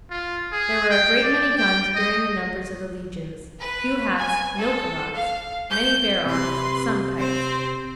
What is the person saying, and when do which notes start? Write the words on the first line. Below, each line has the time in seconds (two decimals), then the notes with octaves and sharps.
There were a great many guns bearing the numbers of the legions, few hats, no cravats, many bare arms, some pikes.
0.10 F4
0.52 G#4
0.90 G5
1.23 D5
1.57 G5
1.95 D#5
3.59 B4
4.17 G#5
4.58 A4
5.14 F5
5.70 G6
6.26 C3 B4 C6
7.17 C4 C5